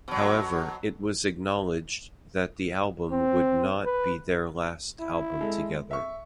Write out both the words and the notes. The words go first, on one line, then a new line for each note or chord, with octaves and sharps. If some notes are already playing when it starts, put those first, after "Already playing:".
However, it was acknowledged that the album would not be their last album together.
B2 F#3
C4
B4
E4
G#3 A4
E5 C#6